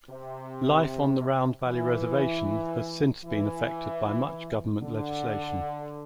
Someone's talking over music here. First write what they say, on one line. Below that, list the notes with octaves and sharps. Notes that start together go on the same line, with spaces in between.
Life on the Round Valley Reservation has since been affected by much government legislation.
C3
E3
E3
D3